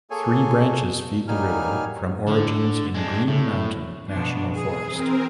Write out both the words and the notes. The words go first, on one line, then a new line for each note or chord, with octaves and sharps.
Three branches feed the river from origins in Green Mountain National Forest.
A#3 G#4 A4 C#5 G#5
F#3 G3 A#3 D#4 G#5 F6
D3
G#3 D4
A2
B2 F3 D4
E3 G#4
C4 A#4